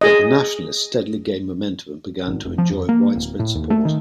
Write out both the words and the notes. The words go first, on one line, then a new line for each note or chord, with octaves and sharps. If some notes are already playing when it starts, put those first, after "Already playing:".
But the nationalists steadily gained momentum and began to enjoy widespread support.
G#4 D#5
G#1
F1
F3
F2
A#3
D1
A2
D#2
A3
D#3